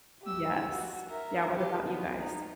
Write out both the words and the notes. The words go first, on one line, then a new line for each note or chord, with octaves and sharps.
Yes. Yeah. What about you guys?
G4 E6
F#4
A#4 E5
G4 B4
B3
D#4